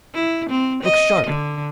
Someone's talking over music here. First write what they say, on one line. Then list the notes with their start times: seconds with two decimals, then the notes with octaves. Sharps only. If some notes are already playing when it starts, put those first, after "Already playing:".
Look sharp!
0.14 E4
0.50 C4
0.83 D#5
1.27 D3